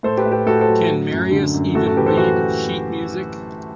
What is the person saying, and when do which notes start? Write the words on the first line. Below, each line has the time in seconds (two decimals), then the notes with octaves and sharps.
Can Marius even read sheet-music?
0.03 A2 A4 C5
0.18 G4 B4
0.25 A2
0.32 G4 B4
0.46 A2 F#4 A4
0.60 A4 C5
0.69 F#3
0.89 F#3
1.11 F#2
1.32 D3
1.54 F#2
1.75 A2 F#4 A4
1.86 F#4 A4
1.96 E3 G4 B4
2.06 A4 C5
2.17 E3 F#4 A4